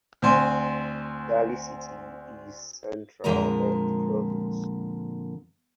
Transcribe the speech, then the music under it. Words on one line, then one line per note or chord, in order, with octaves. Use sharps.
Dali city is the centre of the province.
D2 C4 C5 G#5
F2 A#2 D3 G#3 A#4 A#5